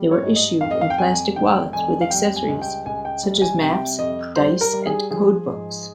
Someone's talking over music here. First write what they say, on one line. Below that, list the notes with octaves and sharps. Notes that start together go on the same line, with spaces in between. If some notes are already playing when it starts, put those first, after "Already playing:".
They were issued in plastic wallets with accessories such as maps, dice and codebooks.
Already playing: G3
C#5
G#2
D#5
F2 F5
D#5
F5
G5
F2 G#5
F1 G5
F2 G#5
F5
G3 G5
G#5
C#2
G5
C#2 G#5
G5
G3
G#5
C3 G5
F2 D#5
G3 C5
A#4
G3
G#4
F3 G#4
G#2